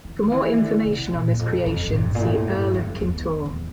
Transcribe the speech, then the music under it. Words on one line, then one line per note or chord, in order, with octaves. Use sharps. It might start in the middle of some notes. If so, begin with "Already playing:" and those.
For more information on this creation, see Earl of Kintore.
E3
D3
E3
D3
C3
A#2
E2
F2
F2
A2
G2
A#2
A2
G2
F2
E2
E2